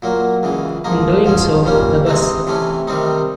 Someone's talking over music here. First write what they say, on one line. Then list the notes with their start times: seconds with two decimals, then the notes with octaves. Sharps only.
In doing so, the Bus.
0.02 A#2 F#3 A#3
0.43 C#2 C#3 E3
0.84 G#2 F3 A#3 D#4
1.25 G#2 F3 G#3 C#4
1.65 A#2 G3 A#3 C#4
2.06 C3 E3 G#3 C4 D#4
2.47 C3 E3 A3 C#4
2.87 C3 D#3 G3 C4 D#4